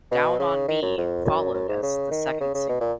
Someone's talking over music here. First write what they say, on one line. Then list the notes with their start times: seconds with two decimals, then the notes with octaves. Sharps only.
"Down on Me" followed as the second single.
0.11 B2
0.39 C#3
0.68 D#3
0.82 F#2
0.97 F2
1.25 F#2
1.54 F#2
1.68 G#2
1.82 C#3
2.11 D#3
2.40 C#3
2.54 C#3
2.69 B2
2.81 A#2